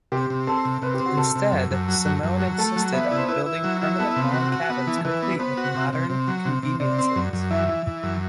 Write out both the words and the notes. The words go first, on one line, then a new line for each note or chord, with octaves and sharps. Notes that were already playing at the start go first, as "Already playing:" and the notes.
Instead, Semon insisted on building permanent log cabins complete with modern conveniences.
C3 G4
C3
C4 A4
C3
C3 B4
G4
C4
F#4
C3 A4
C3
F#2
F#2
F#3
F#2
F#2
F#3
A3 A4
F#3
B3 E5
D5
E4
C5
E4 B4
E4
F#3
E4
B3 A4
C3
F#4
F#4
B3
E3
E3 B4
B3
B3 C5
F#4
C3
C3
C3
F#3
C3
C3
C3 D5
C4
F#2
F#2
E3 E5
E3
E3
F#2